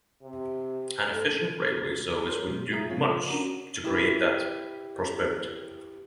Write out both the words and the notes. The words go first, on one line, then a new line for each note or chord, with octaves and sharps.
An efficient railway service would do much to create that prosperity.
C3
A4
A#4 C#5 C6 F6 G6
B2 F#3 G#3
F4 G#4 E5 A#5 D#6
F3 C4 F4 C#5
C#4 D4 F#4 A#4 A#5
E4 G4 B4